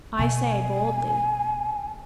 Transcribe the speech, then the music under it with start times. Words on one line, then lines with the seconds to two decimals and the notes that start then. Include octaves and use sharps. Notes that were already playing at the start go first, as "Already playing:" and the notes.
I say boldly.
0.19 B2 G#5